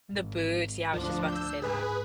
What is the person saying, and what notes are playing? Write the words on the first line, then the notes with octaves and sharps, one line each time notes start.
The boots, yeah, I was just about to say that.
G#1
D2 F3 D4
E6 G6
G#2 G#4 B4